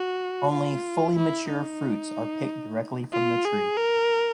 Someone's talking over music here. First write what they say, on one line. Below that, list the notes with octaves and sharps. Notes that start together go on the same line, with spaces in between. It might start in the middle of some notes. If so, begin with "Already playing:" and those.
Only fully mature fruits are picked directly from the tree.
Already playing: F#4
F4
E4
D#4
F4
G#4
A#4